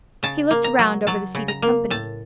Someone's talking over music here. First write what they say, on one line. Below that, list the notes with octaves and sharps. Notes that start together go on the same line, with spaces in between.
He looked round over the seated company.
C#3 A5
A#3
A#5
F#3
F#3 A5
C#3
A#5
A#3
A2 A5